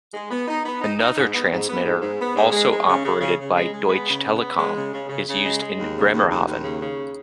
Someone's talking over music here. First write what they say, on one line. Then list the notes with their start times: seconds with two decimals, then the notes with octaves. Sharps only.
Another transmitter, also operated by Deutsche Telekom, is used in Bremerhaven.
0.14 G#3
0.30 B3
0.48 D#4
0.65 B3
0.81 D#4
0.99 D#4
1.16 G#2
1.33 B3
1.51 G#2
1.68 B3
1.84 G#2
2.01 G#2
2.19 B3
2.35 G#2
2.52 G#3
2.70 G#3
2.87 C#3
3.04 C#3
3.21 C#3
3.38 C#3
3.56 G#3
3.73 G#3
3.89 B3
4.07 C#3
4.24 B3
4.41 B3
4.57 G#3
4.75 C#3
4.93 C#3
5.09 C#3
5.27 C#3
5.44 G#3
5.61 G#3
5.78 D#2
5.95 C#3
6.13 D#2
6.29 D#2
6.46 D#2
6.63 C#3
6.80 C#3